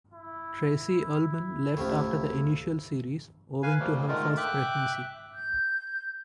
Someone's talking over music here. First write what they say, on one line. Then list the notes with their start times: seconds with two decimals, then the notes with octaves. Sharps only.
Tracey Ullman left after the initial series owing to her first pregnancy.
0.14 E4
1.77 D1 C2 A2 C3 F3 C#4
3.63 B4 F5 G#5
3.80 F3 G3 A3 A#3
4.08 D3 D#3 G#3 A3 F4 A#4
4.37 E5 G5 D6 F#6
5.33 G6